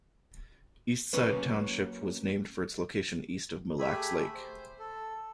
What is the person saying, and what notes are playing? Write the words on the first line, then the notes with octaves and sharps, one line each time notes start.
East Side Township was named for its location east of Mille Lacs Lake.
F#3 A#3 C#4 B4
A3 G4 G#4 E5 G#5 B5
C5
A4